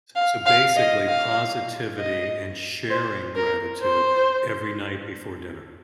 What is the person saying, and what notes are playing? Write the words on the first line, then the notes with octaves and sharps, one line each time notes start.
s so basically, positivity, and sharing gratitude every night before dinner.
F5
F5
D#5
F5
D#5
C5
A#4
C5